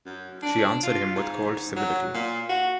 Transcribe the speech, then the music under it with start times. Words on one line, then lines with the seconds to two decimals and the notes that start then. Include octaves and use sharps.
She answered him with cold civility.
0.06 F#2
0.42 D4
0.83 F4
1.15 G#2
1.76 F#3
2.14 A#2
2.49 F#4